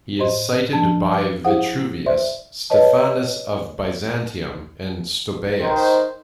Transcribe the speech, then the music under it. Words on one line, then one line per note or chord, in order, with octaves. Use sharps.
He is cited by Vitruvius, Stephanus of Byzantium and Stobaeus.
A2 C5 D#5 C6
F3 D4 A5
D6
E4 G#4 C5 F5 F#5 D#6
C5 D5 E5 C6
B4 C#5 D#5 A5
D#3 C5